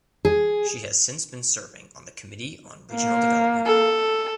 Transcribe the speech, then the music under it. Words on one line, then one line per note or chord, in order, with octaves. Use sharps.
She has since been serving on the Committee on Regional Development.
G#4
A#3
A4